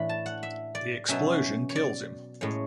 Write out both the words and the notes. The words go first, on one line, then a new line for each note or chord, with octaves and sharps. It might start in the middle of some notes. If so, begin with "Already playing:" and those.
The explosion kills him.
Already playing: A2 E3 A3 D4 B5
A5
F#5
E5
D5
B2 F#3 C#4 E5
C#5
D5
A2 G#3 C#4 C#5